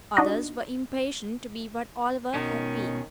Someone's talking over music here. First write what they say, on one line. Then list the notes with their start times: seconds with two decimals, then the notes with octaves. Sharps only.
Others were impatient to be what Oliver had been.
0.17 D4 D#4 F#4 D#5
2.34 B2 D#3 C#4